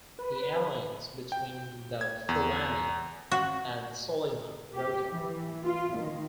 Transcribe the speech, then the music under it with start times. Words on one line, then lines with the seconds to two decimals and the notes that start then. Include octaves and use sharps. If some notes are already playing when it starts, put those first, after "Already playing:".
The alliance between the Fulani and Solima broke up.
0.19 B4
1.32 G5
2.01 G#6
2.29 E2
3.32 F#4
4.73 G4
5.11 E3
5.65 F4
5.97 D#3